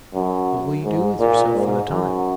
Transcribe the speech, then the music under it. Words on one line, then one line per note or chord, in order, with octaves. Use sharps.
"What will you do with yourself for the time?"
F#2
G#2
A#2
G#2
F#2